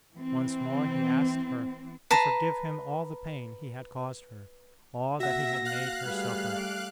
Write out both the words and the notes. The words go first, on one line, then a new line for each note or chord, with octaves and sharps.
Once more he asked her to forgive him all the pain he had caused her, all that he had made her suffer.
E3 C4
B4 A5 A#5 C6
A#3 F#4 E5 F#5 A#6
F5 F#6
G3 A3 G#4 B4
D6